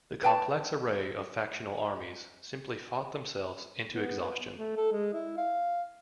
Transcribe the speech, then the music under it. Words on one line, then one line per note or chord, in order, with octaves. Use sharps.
The complex array of factional armies simply fought themselves into exhaustion.
B4 G5 A5
B3
A3
A4
G#3
E4
F5